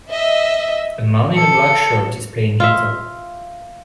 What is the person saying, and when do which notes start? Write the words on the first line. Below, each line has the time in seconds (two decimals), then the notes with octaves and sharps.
A man in a black shirt is playing guitar.
0.11 D#5 E5
1.35 A4 C#7
2.60 F4 E5